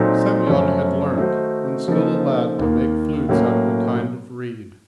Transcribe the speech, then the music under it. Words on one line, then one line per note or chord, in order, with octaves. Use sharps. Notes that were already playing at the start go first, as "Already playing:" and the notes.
Semyon had learnt when still a lad to make flutes out of a kind of reed.
Already playing: A#2 F#3 C4 D#4 A4
F#2 F3 A3 C#4
D#3 A3 D#4 F#4 C5
C#3 F3 A#3 D#4 A4
D#2 D#3 A#3
A2 F#3 A#3 C#4